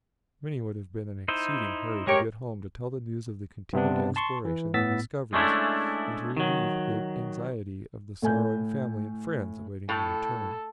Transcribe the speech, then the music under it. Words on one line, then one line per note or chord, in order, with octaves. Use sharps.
Many would have been in exceeding hurry to get home to tell the news of the continued explorations and discoveries, and to relieve the anxiety of the sorrowing family and friends awaiting their return.
D#4 E4 C5
G#3 G4 A#4 C#5
G2 C3 B3 D4
A5 C6 C#6
E3
A2 B3 E6 A6 B6
G#3 A3 C#4 D4 E4
D#3 F#3
A2 G#5 G6
A2 A4